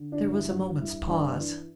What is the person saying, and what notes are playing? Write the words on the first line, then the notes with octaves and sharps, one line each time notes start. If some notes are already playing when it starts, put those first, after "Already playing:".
There was a moment's pause.
Already playing: D3
D4
G2
E4
G2 F#4
G2 E4
G2 D4
E3